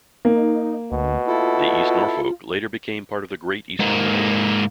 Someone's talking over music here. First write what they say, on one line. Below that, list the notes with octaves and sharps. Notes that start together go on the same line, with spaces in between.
The East Norfolk later became part of the Great Eastern Railway.
A#3 D#4
D2 B2
E4 F4 A4
G#2 A#3